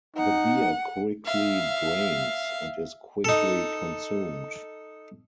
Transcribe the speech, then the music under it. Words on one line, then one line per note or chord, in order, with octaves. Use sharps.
The beer quickly drains, and is quickly consumed.
D#4 F#5
E5 F5
D#4 A4